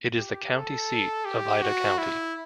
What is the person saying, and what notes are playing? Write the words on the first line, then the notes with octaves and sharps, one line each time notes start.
It is the county seat of Ida County.
G4
A4
G4
F#4
E4